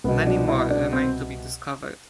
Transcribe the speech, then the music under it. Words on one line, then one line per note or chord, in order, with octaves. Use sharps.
Many more remain to be discovered.
C2 B2 B3
D4
E4
D4
C4